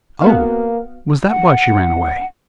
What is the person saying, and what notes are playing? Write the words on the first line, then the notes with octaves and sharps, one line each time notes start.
"Oh! Was that why she ran away?"
A#3 B3 F#4 F5
F#5